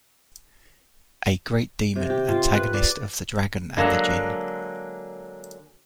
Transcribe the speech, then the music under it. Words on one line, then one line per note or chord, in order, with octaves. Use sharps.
A 'Great Demon', antagonist of "The Dragon and the Djinn".
C3
G4
F4
B4
D5
D3 F#3 G#3 A#3 D4